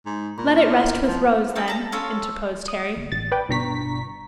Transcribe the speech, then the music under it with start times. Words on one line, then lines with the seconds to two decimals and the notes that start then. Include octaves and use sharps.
'Let it rest with Rose, then,' interposed Harry.
0.05 G#2
0.38 A#2 B5 C#6
0.57 E4 F6
1.07 F3
1.56 C#4 D#4 A4 G5
1.68 A5 A#5
1.92 C#4 F4 A4 C#5
2.68 D#6
2.97 G1
3.12 A1 A6
3.32 B4 D5 G5
3.49 G1 B2 D4 A#5 C#6 B6